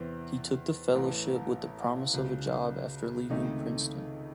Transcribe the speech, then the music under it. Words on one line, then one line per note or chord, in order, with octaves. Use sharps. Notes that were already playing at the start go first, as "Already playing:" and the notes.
He took the fellowship with the promise of a job after leaving Princeton.
Already playing: E2 C3 E3 C4
A1 A2 E3
C#2 C#3 F#3
C#2 C3 D#3 A3 D#4